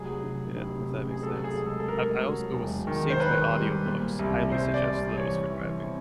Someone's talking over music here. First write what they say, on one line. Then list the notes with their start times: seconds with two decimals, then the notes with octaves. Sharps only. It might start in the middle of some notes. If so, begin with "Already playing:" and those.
yeah, if that makes sense. I've I also was saved by audiobooks. Highly suggest those for driving.
Already playing: F1 F#3 G#4
0.24 F1
0.57 F1
0.90 C#3
1.11 G#4
1.22 F#3 A4
1.44 G#4
1.56 C#2
1.66 A4
1.80 A4
1.88 A3 A#4
2.21 F#3
2.54 E1
2.87 D#3
3.10 C5
3.20 D#3 B4
3.53 G3
3.86 A#2
4.19 C2
4.52 C2 C5
4.74 D5
4.85 C2
5.17 E3 C#5
5.50 E3
5.83 C4